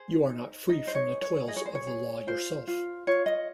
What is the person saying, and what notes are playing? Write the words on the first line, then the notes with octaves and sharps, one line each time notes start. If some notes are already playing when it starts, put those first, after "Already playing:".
You are not free from the toils of the law yourself!
Already playing: G#4 C5
D#4
D#4 D#5
C5
C#5
G#4
C#5
G#4 D#5
C#5
C5
C#5
G#4
F4 C5
F4
F4 C#5
D#5